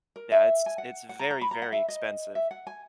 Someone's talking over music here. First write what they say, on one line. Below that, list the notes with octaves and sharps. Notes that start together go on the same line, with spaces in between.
Yeah, it's it's very, very expensive.
A#4
E5
G#5
F#5
F#5
A#5
A#5
B5
A#5
F#5
E5
D#5
E5
F#5
G#5